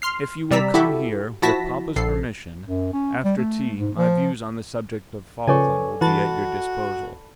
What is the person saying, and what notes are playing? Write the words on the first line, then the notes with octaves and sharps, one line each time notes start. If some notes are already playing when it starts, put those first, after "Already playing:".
If you will come here--with papa's permission--after tea, my views on the subject of Falkland will be at your disposal.
C6 F6 C7
C3 G3 D5 A#5 E6 B6
E4 F#4 G4 A4 E5
F3 E4 F#4 A5 A#6 B6
A#1 A4 C7
F#2
C#4
G3
A3
G#2
F3
C#3 F3 A4 B4 C#5 D5 G#5 C#6
E3 F#4 A5 B5 A6